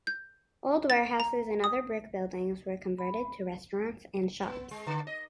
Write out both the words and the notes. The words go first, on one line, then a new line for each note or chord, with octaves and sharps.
Old warehouses and other brick buildings were converted to restaurants and shops.
G6
A6
A#5
D#6
B5
B3
G#3
D3
D#5